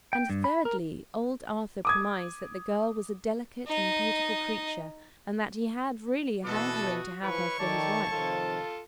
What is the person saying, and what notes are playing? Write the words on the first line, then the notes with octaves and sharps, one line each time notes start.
And, thirdly, old Arthur premised that the girl was a delicate and beautiful creature, and that he had really a hankering to have her for his wife.
G5
G2
B5
A#4
D6 D#6 G#6
D#4 D#5
B2 E3 D4 F#4 A4 B4 D#6
E3 F3 E4 B4 C#5 C#6
D#3 A3 D5 A5
C3 D#3 F3 F4 A4